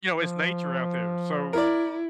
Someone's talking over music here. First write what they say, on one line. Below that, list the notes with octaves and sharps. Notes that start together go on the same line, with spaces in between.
You know, it's nature out there, so
F3
E4 A#4 D5